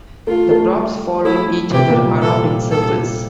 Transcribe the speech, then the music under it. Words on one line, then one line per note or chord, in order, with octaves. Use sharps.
The props follow each other around in circles.
A3 F4
A3
G3
A3 E4
C3 C4 G4
A#2 A#3
G3
A4
A4